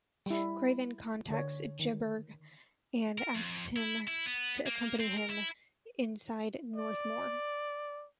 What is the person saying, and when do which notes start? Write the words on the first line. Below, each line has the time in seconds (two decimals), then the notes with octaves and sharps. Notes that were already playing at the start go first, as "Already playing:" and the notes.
Craven contacts Jedburgh and asks him to accompany him inside Northmoor.
0.26 G3 E4
1.30 D3 C#5
1.79 D#3
3.18 A#4
3.35 F2
3.76 E4
4.08 E4
4.26 B3
4.66 A#3
5.00 C4
5.17 A#4
5.30 E4
6.76 D5